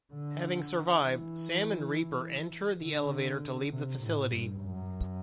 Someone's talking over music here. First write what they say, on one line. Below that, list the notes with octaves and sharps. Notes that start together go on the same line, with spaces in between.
Having survived, Sam and Reaper enter the elevator to leave the facility.
D3
E3
D3
C3
A2
G2
F#2